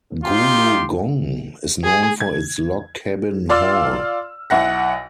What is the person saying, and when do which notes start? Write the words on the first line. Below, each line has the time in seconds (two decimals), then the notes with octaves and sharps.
Gooloogong is known for its log cabin hall.
0.24 D#4 F4 G4 C6
1.84 G#4
2.20 G#6
3.49 F4 D5 F5 C6 E6 F6
4.50 B1 E4 F#5 A#6